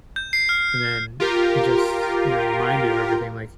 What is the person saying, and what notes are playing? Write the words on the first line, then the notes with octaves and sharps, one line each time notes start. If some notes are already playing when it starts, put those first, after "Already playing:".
and then just, you know, remind you of everything. Like,
G6
C7
F6
F4 G4 A#4